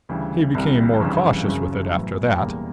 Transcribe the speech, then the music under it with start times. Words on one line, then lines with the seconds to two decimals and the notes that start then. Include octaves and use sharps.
He became more cautious with it after that.
0.09 D2 C#3 E3 G3
0.55 C2 C3 E3 G3
1.01 G1 F2 C#3 E3 G3
1.48 F#1 F#2 C#3 F#3
1.94 A1 A2 F#3 B3
2.40 E2 B2 G3 A#3